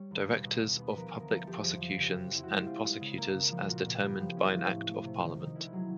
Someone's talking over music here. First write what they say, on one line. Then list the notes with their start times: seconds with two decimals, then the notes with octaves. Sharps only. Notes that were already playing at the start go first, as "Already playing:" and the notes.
Directors of Public Prosecutions and prosecutors as determined by an Act of Parliament.
Already playing: G3 C#5
0.11 D#2
0.27 B2
0.44 B2
0.62 B2
0.79 B3
0.91 B4
0.96 F3 A#4
1.13 D2
1.20 A#4
1.30 F3 A4
1.47 F3 G4
1.64 F2 G#4
1.81 F3
1.98 C#3 G4
2.15 F2
2.32 C4 E4
2.43 F#4
2.49 G#3
2.55 G4
2.66 C4 F4
2.83 G#3
3.01 C#3
3.18 A#3
3.34 C#3
3.51 F3
3.61 F4
3.68 A#2 F#4
3.86 A#2
4.02 B3 G4
4.20 F3
4.37 C#4 E4
4.54 F3
4.71 A2
4.88 A3
5.05 C3
5.22 D#3
5.39 D#3 D#4
5.55 C2 E4
5.73 F#3 G#4